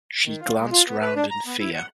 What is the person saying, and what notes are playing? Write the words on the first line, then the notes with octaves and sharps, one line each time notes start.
She glanced round in fear.
D#3
F4
G#3
F4
B3
B4
D4
A#5
B3
E4
F#5